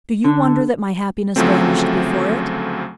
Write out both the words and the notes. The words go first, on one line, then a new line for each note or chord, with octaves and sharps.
Do you wonder that my happiness vanished before it?
D3
D2 C#3 F3 F#3 A3 C4